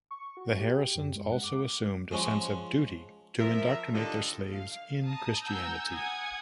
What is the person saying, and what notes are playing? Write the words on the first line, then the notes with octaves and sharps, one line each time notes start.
The Harrisons also assumed a sense of duty to indoctrinate their slaves in Christianity.
C#6
F#4
G4
F#2
G#3
F#5
D6
F3 G#3 C#4 F#4
F3 A#4 E5
D3 D#3 G3 F4 A4 D#5
F5
A5 A#5 D#6
F#5 G#5 A#5 E6 G6
F#5 G#5 D#6 G#6